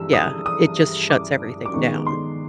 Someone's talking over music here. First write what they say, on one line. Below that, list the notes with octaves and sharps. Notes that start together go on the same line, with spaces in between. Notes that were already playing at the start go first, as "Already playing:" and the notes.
yeah. It just shuts everything down.
Already playing: G2 E3 G#3 E6
D#6
D#6
D6
D6
D#3 G#3 B3 D#4 C#6
C6